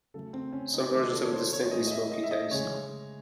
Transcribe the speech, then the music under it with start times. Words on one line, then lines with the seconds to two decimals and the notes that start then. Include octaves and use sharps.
Some versions have a distinctly smoky taste.
0.14 C#3 F#3 A3 A4
0.33 C4
0.53 C#4
0.74 D#4
0.92 C3 D#3 G#3 A4
1.12 A4
1.24 C#5
1.33 C5
1.53 C#5
1.63 C#5
1.71 A2 G#3 D#5
1.87 D#5
1.91 E5
2.12 D#5
2.24 E5
2.31 D#5
2.51 C#3 G#3 C#5